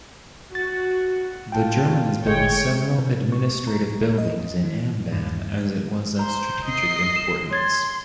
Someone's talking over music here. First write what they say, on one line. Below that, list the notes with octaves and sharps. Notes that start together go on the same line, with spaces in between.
The Germans built several administrative buildings in Ambam as it was of strategic importance.
F#4 A6
F4 G5 A5
G1 G#3 G#4 C#5 G5
C3
C#6
A#5
D#5
E3
G2
C5 A#5 G6
D#5 C7
E7
C#5 C6 G#6 A6